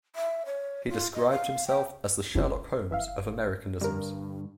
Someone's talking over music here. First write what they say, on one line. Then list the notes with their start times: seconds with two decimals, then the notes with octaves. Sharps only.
He described himself as "the Sherlock Holmes of Americanisms".
0.16 E5
0.46 C#5
0.90 F4
1.14 D#5
1.31 F5
1.67 G5
2.91 F#1 E3 E5 F5
3.81 G2 D3 G3 A#4